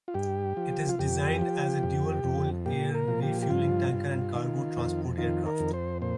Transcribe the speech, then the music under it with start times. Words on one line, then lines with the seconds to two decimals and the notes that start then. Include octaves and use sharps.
It is designed as a dual-role air refueling tanker and cargo transport aircraft.
0.08 F4
0.14 G2 G4
0.57 F3
0.89 F4
0.99 F2 G4
1.41 F3
1.83 F2
2.24 F2
2.66 A#2 G4
2.95 A#4
3.08 F3
3.23 G4
3.42 G4
3.50 G2 F4
3.93 G2
4.35 D#3
4.77 F2
5.18 D#3 F4
5.46 A#4
5.60 F2
5.74 C5
6.02 A#2 C5